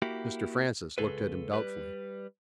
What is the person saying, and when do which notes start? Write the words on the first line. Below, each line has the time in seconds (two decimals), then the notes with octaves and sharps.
Mr. Francis looked at him doubtfully.
0.02 A#3 E4 F#4 G4
0.98 C#2 G#4 A4 B4
1.52 G3 B4